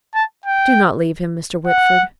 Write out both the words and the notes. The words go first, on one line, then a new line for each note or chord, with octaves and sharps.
"Do not leave him, Mr. Whitford."
A5
G5
F#5